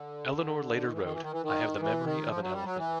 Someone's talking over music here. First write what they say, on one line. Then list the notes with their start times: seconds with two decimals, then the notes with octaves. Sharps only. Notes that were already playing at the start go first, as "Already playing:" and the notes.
Eleanor later wrote, I have the memory of an elephant.
Already playing: D3
0.82 D#3
0.92 E3
1.02 D#3
1.11 E3
1.22 D#3
1.32 E3
1.42 D#3
1.79 E3
2.04 D#3
2.28 F3
2.41 F#3
2.52 G3
2.65 F#3
2.77 E3